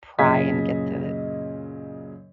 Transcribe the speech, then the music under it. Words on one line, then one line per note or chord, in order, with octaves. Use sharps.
pry and get the
F#2 A#2 C#3 D#5 G#6 B6